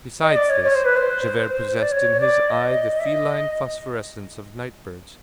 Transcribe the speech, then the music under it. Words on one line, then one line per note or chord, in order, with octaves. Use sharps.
Besides this, Javert possessed in his eye the feline phosphorescence of night birds.
D#5
D5
C#5
C#5
C5
B4
C5
D5
C#5
D5
D#5
E5
D#5